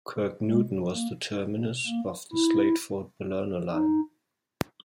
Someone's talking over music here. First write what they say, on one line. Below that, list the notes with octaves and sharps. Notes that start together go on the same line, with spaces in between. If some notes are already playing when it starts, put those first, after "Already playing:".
Kirknewton was the terminus of the Slateford-Balerno line.
G#3
A#3
A#3
E4
D#4